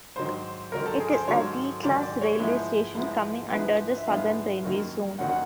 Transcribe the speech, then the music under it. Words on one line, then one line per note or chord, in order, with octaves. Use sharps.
It is a 'D-Class' railway station coming under the Southern Railway Zone.
G#2 D#3 F#3 C5
G#2 D#3 F#3 A#4
A4
G#4
C5
G#2 D#3 F#3 C#5
G#2 D#3 F#3 D5
D5
C#5
G#2 F3 G#3 B3 E4
G#2 F3 G#3 B3 E4
G#2 F3 G#3 B3 E4 B4
E5
G#2 F3 G#3 B3 E4 F5
F#2 D#3 F#3 A#3
F#2 D#3 F#3 A#3 F#5
F#5